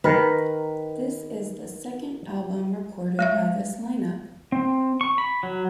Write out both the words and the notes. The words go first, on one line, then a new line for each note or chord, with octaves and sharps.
This is the second album recorded by this line-up.
D#3 A#4 B4
G#3 C#5 E5
C4
C#6
B5
F#3